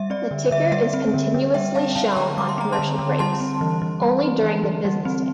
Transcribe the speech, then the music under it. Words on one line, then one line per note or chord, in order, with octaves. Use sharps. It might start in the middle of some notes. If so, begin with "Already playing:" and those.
The ticker is continuously shown on commercial breaks, only during the business day.
Already playing: G3 E5
C4 D5
D3
D3 E5
G3 E5
C4
D3
D3
G3 E5 G5
C4 F5 A5
D3 F5 A5
C6
D3 G5 A#5
G3 D6
C6
C4 A#5
A5 C6
D3
D3
G3 A5 C6
C4
E3
E3
G3
C4
E3
E3
G3
C4